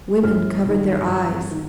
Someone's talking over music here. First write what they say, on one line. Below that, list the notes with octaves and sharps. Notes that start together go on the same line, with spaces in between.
Women covered their eyes.
G1 F6
G2 D#3
G1
D#3